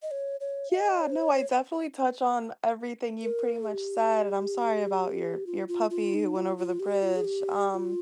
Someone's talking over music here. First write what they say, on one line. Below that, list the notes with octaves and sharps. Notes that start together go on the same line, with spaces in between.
Yeah, no, I definitely touch on everything you've pretty much said, and I'm sorry about your your puppy who went over the bridge, um,
D#5
C#5
C#5
F5
D#5
C#5
C5
C#5
A#4
G4
F4
F4
F4
D#4
F4
F4
G4
F4
G#4
G4
G4
F4